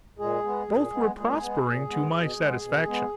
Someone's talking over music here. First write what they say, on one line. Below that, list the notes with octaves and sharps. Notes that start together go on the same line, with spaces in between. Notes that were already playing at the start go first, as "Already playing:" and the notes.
Both were prospering to my satisfaction.
A#2 G#3 G#4
G#3 B3
A#2
G#3 B3
A#2 G#3 G#4
G#3 B3
A#2
G#3 B3
B2
G#3 B3
B2
G#3 B3